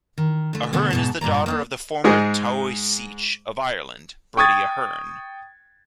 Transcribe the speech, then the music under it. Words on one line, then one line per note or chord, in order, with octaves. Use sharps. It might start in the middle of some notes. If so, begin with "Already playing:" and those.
Ahern is the daughter of the former Taoiseach of Ireland, Bertie Ahern.
D#3
D3 A3
B2 D3 A3 B3
G#2 B2 A5
G2 A#2 D5 A#5
A#3 B3 D4
G#2 G#3 G#4
G5 C#6 D#6 G#6 A6